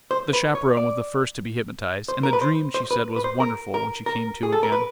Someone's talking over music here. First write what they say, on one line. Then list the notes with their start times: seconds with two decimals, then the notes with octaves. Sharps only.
The chaperone was the first to be hypnotised, and the dream, she said, was wonderful, when she came to again.
0.11 C5
0.33 B4
0.55 C#5
0.77 D5
2.08 C5
2.23 A#4
2.33 B4
2.41 C5
2.74 C5
2.91 B4
3.16 B4
3.24 C5
3.40 A#4
3.74 A#4
4.06 A#4
4.43 G#4
4.52 A4
4.63 A#4
4.72 B4